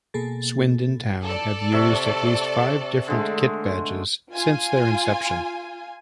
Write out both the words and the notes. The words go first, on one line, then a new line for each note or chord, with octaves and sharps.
Swindon Town have used at least five different kit badges since their inception.
B2 A#3 G#4 A4 A6
A4 D5
C3 E5 C#6
D3 G#3 A3
F4 G#5